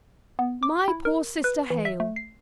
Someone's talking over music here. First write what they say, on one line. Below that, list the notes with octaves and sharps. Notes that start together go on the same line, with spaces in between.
My poor sister Hale!
B3
D6
E4
A#4
B4
E3
E5
A3
C7